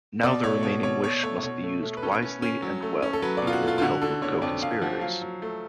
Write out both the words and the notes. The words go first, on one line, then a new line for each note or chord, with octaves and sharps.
Now the remaining wish must be used wisely and well--with the help of co-conspirators.
B2 D5
A3 C#5
B2 C#5
B2 C#5
B2 C#5
A3 C#5
B2 C#5
A3
A3
B4
C#4 A4
C#4
C#4
F#3
A3
C#4
A4
F#3 B4
B2 D5
F4
F#4
A3 F4
F4
D3 F#4
D3 A4
D3 C#5
F2 D5
F2 F5
F3 F#5
F#3 F5
F#3
A3